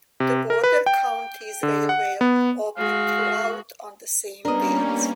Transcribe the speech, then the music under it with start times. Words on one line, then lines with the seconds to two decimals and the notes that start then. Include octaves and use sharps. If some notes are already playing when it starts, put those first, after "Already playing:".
The Border Counties Railway opened throughout on the same dates.
0.20 C3
0.50 A#4
0.64 B4
0.86 G5
1.63 D3
1.89 F#5
2.21 B3
2.77 G#3 F#4 F5
4.45 G3 A#3 B3 C#4 D4 A#4 D#5